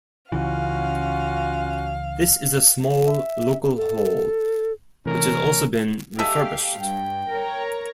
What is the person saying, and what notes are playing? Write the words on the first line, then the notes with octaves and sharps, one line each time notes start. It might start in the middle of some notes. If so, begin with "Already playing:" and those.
This is a small local hall, which has also been refurbished.
C#2 C#3 E3 C#4 F4 F#4 F5
E5
A4
C3 E3 A3 C#4 A#4
G#3 G4 A4 E5 F5
G2 G5
A#4 C#5 A#5